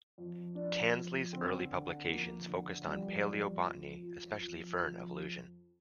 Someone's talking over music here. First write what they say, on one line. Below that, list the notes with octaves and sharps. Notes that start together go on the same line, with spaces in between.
Tansley's early publications focused on palaeobotany, especially fern evolution.
F2
F2 D4
F2
D3 C4
D3
F2 A#3
D3
F2 G3
F2
F2
F3
F2
F2